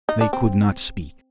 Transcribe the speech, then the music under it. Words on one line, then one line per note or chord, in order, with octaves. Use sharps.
They could not speak.
D#4
D4
C4